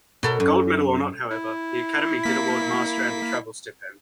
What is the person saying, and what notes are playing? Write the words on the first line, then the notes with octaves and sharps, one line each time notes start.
Gold medal or not however, the Academy did award Marstrand a travel stipend.
B2 A4 A#4
F#2
E4
A#3 B6